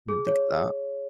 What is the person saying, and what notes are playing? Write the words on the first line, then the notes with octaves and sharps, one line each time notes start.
didn't think of that.
G#4
C#5